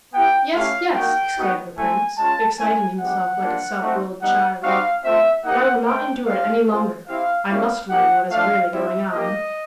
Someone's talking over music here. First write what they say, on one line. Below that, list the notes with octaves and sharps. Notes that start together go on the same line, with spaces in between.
"Yes, yes," exclaimed the prince, exciting himself like a self-willed child; "but I will not endure it any longer, I must learn what is really going on."
B3 E4 G4 G5
A3 C#4 E4 G4 F5
A#3 D#4 F#4 G5
B3 D#4 F#4
A3 C4 E4 G#5
G#3 C#4 F4 A5
G#3 C#4 E4 G#5
G#3 B3 D4 G4 F#5
G3 A#3 D4 F4
A3 C4 D#4 F#4
G3 B3 D#4 F#5
G3 C4 D#4 F#4 F5
A3 C4 F4 E5
A#3 D#4 G4 F#5
A3 C4 D#4 G5
G3 C4 D#4 G4 F5
G#3 C4 F4
C4 E4 G4 F5
G3 A#3 C#4 E4 F5
A#3 D#4 G4 F#5
A3 D4 F4 F5
G3 C4 E4 G4 E5
A#3 D#4 G4 D#5